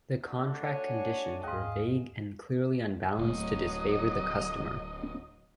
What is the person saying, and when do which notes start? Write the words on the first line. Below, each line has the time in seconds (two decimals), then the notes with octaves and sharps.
The contract conditions were vague and "clearly unbalanced to disfavor the customer".
0.23 A3 D4 F#4
0.64 C#5 F#5 G#5
1.44 D#2 G#2 G#4 D#5 F5
3.18 D1 A2 F#3 A3 D#5